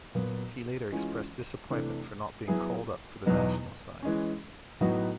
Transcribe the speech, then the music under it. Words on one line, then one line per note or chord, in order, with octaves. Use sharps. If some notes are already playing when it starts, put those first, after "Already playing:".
He later expressed disappointment for not being called up for the national side.
A#2 F#3 B3
E3 G#3 C#4 F4
C3 E3 A3 D4
F#3 B3 E4 G#4
E2 B2 F#3 B3 D#4
E3 G#3 C#4
A2 F#3 B3 D#4 F#4